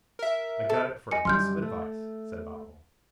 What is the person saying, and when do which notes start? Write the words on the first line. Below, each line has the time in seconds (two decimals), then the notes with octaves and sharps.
"I got it for a piece of advice," said Babo.
0.19 A#4 E5
0.70 A4
1.11 D#5 G#5 C#7
1.25 F#2 G3 C6 F6 G6
1.62 A3